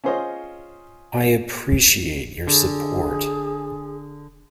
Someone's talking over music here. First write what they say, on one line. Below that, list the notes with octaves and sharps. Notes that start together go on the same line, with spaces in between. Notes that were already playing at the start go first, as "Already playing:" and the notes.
I appreciate your support.
C#4 F4 G#4 C5 C#5 D#5
D3 G#4